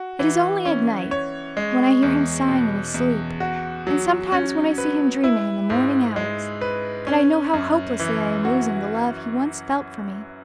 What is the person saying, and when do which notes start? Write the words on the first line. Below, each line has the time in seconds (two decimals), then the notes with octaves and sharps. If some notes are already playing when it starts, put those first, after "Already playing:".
It is only at night, when I hear him sighing in his sleep, and sometimes when I see him dreaming in the morning hours, that I know how hopelessly I am losing the love he once felt for me.
Already playing: F#4
0.19 E3
0.65 C#4
1.11 C#5
1.57 G#3
2.03 E2
2.48 B2
2.94 E2
3.40 F#4
3.87 F#3
4.32 C#4
4.78 B4
5.24 E4
5.70 G#2
6.16 G#3
6.61 B4
7.07 C#4
7.53 F#2
7.99 E3
8.45 F#4